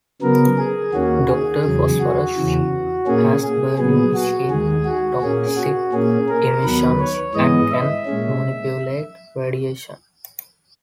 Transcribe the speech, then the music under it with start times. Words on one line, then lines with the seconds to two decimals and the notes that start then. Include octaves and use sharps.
Doctor Phosphorus has burning skin, toxic emissions, and can manipulate radiation.
0.22 C#3 F#3 B3 A#4
0.58 G#4
0.93 D#2 D#3 A#3 C#4 F#4
1.29 G#4
1.65 E2 C#3 F#3
2.00 F#4
2.36 E2 C#3 E3
3.07 A#2 A#3 C#4 G#4
3.43 G#4
3.78 A#2 F#3 B3 G#4
4.14 F#4
4.50 D#2 D#3 G#3 G#4
4.85 F#4
5.22 A#2 A#3 C#4 G#4
5.57 F#4
5.92 A#2 A#3 C#4 G#4
6.28 A#4
6.64 D#2 D#3 F#3 B3 B4
7.00 C#5
7.35 G#2 E3 G#3 B3 D#5
7.71 E5
8.06 A#2 G#3 C#4